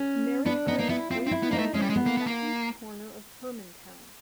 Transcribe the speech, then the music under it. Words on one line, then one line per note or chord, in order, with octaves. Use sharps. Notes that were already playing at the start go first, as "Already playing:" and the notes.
Merritt Creek briefly enters the southeast corner of Hermantown.
Already playing: C#4
B3 D4
B3 D#4
A#3 D#4
B3 E4
C4 F4
C4
E4
B3
A#3 D#4
A3
G#3 C#4
G3
G#3
B3
A#3
B3
A#3